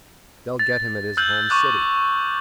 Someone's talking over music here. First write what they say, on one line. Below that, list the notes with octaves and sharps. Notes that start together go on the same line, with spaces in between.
"They'll get him at his home city."
A6
E6 F#6 G6 F#7
C#6 D6 F#6